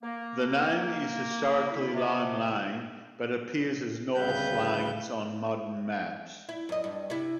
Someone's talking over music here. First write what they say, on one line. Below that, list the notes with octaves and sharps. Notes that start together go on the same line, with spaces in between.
The name is historically Lime Lane but appears as North Lanes on modern maps.
A#3
F#2 E4 B5
C3
D2 C#3 G3 B4 G6
E4
F#2 D#5
G2
C3 E4